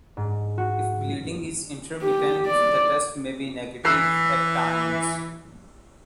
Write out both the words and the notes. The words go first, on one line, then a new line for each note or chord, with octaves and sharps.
If bleeding is intermittent the test may be negative at times.
G#2
F#4
G4
D5
E3 E6 F#6 C7